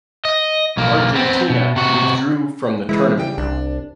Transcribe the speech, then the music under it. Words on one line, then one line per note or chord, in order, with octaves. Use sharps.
Argentina withdrew from the tournament.
D#5
B1 A#3
B3 C4
B2
C3 F#4
E3 G#3 E4
C#3 G3 G5
C2 D4